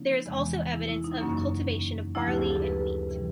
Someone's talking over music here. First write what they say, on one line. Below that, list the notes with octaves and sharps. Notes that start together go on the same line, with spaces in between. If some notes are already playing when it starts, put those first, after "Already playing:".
There is also evidence of cultivation of barley and wheat.
Already playing: C#3 F3 A#3 D#4
E2 C3 E3 G#3 B3
E4
E4
D#4
F#2 C#3 F#3 A#3 C#4
D2 C#3 F3 A3 E4
G4
G#4
A4
B4
C3 E3 G3